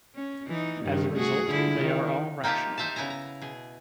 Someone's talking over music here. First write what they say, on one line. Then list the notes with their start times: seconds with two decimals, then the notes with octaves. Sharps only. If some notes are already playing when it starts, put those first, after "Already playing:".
As a result, they are all rational.
0.15 C#4
0.47 E3 D#4
0.84 G2 D3 D#3
1.15 A3 F#4 G#4
1.48 D3 E4 F4
1.81 D#3
2.44 A#3 D#4 F4 G4 E5 A5
2.78 D#4 C5 E5 F5 A5
2.96 C#3 B3 E4 G#5 A#5
3.10 A#5
3.42 B2 G#4